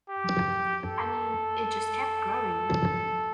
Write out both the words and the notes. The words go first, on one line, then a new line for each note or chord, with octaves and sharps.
I mean, it just kept growing!
G4
A4